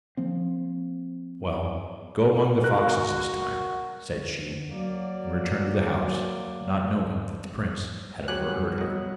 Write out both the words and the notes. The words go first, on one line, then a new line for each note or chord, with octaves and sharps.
'Well, go among the foxes this time,' said she, and returned to the house, not knowing that the prince had overheard her.
F3 A#3 C4
F#4 A#4 F#6
F#3 A#3 D5
F#3 G3 B3 G4 G#5 F#6
F#3 D#5